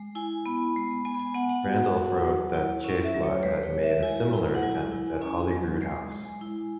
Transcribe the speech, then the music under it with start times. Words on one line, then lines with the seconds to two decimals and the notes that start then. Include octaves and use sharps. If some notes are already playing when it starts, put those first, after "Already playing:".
Randolph wrote that Chastelard had made a similar attempt at Holyroodhouse.
Already playing: G#3
0.15 E4 G#5
0.46 B3 B5
0.76 G#3
1.05 B3 G#5
1.14 B5
1.19 G#5
1.34 B3 F#5
1.49 F#5
1.65 F#4
1.95 F#4
2.25 F#3
2.54 E4
2.84 C#4
3.04 E5
3.14 F#3
3.23 C#5
3.43 G#3 B4
3.64 C#5
3.73 G#3
3.84 E5
4.02 E4 G#5
4.33 E4
4.55 F#5
4.62 F#3 G#5
4.91 E4
5.21 C#4 G#5
5.51 F#3
5.82 G#3
6.12 G#3
6.41 E4